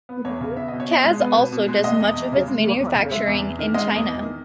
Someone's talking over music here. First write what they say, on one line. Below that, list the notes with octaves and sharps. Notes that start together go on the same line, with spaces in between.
Kaz also does much of its manufacturing in China.
B3
E2 C#5
C#3
B3 E5
B2 D#5
C#5
B2 D#5
G#3
B3
B2
B2
G#3
G#3 D#5
E2
E2
C#3
G#3
E2
E2
C#3
G#3 E5
E2
E2
D#3
G#3 D#5
E2
E2
D#3